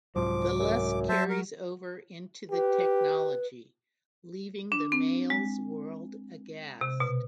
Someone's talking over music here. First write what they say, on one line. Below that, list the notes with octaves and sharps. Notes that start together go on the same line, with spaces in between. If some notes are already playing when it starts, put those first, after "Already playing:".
The lust carries over into the technology, leaving the males' world aghast.
C2 G#2 F3 F#3 D6
F#2
F#3 C5 E5 A5
A#4
G4 B4
D4
C4
G#3
C3
B2